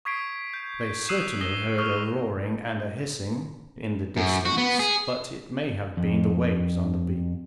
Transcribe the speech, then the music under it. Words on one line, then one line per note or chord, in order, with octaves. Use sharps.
They certainly heard a roaring and a hissing in the distance, but it may have been the waves on the beach.
C#6 D#6 G#6 B6 C7 D7
G6
D#6 E6 F#6 C7 D#7 E7
D#6 A#6 G7
C#6 D#6 F6 D#7 F7 G7
F#2
F#4
B3
G#4
F2